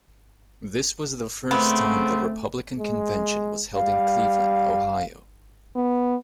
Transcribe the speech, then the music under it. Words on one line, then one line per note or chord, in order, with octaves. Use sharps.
This was the first time the Republican Convention was held in Cleveland, Ohio.
C#3 A3 B3 C4
G#3
G3 F5
B3